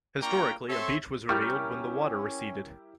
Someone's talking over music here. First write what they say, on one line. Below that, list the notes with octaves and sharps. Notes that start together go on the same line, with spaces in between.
Historically, a beach was revealed when the water receded.
A#3 D4 F4 G5 A#5 C#6
C4 A4 C#5 E5 C6 C#6
G3 C#4 E4 G4 A#4 C#6 F6 G6